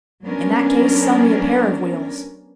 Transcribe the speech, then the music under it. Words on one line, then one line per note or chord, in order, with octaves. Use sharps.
"In that case, sell me a pair of wheels."
F#3 A3 B3 C#4 D4 A#4